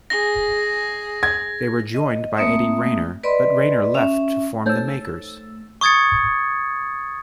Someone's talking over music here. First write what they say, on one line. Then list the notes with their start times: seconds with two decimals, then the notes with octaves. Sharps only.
They were joined by Eddie Rayner, but Rayner left to form The Makers.
0.10 G#4 A#6
1.23 G#6
1.94 D#5
2.37 A3 A#3 C4 E5 D#6
3.23 B4 D5 D#5 B5 C6
3.94 C#4 E5
4.66 A3 D#4 C5 C#5 E6
5.81 C#6 D#6 G#6 A6 C#7